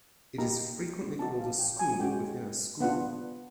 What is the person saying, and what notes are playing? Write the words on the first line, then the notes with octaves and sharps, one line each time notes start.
It is frequently called a school within a school.
A#3 D#4 G4 A#5
C4 D#4 F#4 A5
F5
G5
G#5
G#3 C#4 F#4 G5
B3 D4 F4 F#5